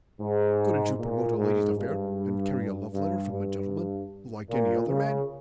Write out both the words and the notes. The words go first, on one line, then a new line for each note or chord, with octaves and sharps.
Couldn't you promote a lady's affair and carry a love letter from a gentleman, like any other man?
G#2
A#2
G#2
G2
G2
G2
A#2
C#3